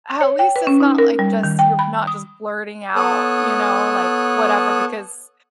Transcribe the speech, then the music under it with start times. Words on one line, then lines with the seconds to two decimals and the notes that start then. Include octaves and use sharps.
at least it's not like just you're not just blurting out, you know, like, whatever, because
0.21 C#5
0.39 G5
0.56 B4
0.67 C#4
0.80 D#4
0.98 A#4
1.19 G3
1.43 D#3
1.59 G5
1.79 B5
2.07 D#6
2.96 B3 A4 C#5 A5 D#6 F#6